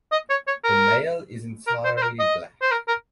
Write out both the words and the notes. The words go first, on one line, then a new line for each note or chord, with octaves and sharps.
The male is entirely black.
D#5
C#5
C#5
A#4
A#4
C5
C5
A#4
D#5
C5
A#4
A#4